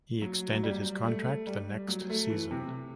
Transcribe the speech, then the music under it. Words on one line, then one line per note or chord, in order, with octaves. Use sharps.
He extended his contract the next season.
F#3
F#3
G3
A3
G3
F#3
A3
E3
C3